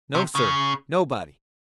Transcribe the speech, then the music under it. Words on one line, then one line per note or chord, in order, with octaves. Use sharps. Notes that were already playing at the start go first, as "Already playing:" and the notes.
"No, sir, nobody."
C3
C#3